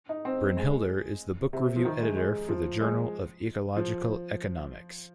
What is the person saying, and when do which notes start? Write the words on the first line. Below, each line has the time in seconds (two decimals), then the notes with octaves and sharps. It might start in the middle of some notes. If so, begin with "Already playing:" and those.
Brynhildur is the book review editor for the journal of "Ecological Economics".
0.09 D#4
0.25 C4
0.57 G#3
1.53 C3
1.76 F3
1.85 D#3
2.01 G#3
2.17 G#3
2.49 F3
2.81 G#3
3.76 F3